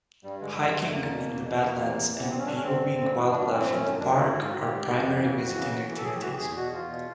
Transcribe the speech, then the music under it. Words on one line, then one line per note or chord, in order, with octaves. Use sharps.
Hiking in the badlands and viewing wildlife in the park are primary visiting activities.
G2 G3
D3 G#3
G2 G#3
G#3
D3
A3
E2 A#3
B2
E2
B2
E2 A#3
C3 E3
E2
C3 E3
B3
G2 C4
C#4
D3 D4
C#4
G2 C4
D3
G2
E3
G2 D4
E3 C#4
C4
F#2
C#4
D#3
F#2 D4
D#4
D#3
E4
G#2 F#4
F4
D#3 F#4
G4
G#2
D#3
F2 G4
C#3 E3
F2 F#4
C#3 E3
A2
E3
A4
A2 G#4
G4
E3 F#4
G4
E2 G#4
B2 F#4
E2 F4
B2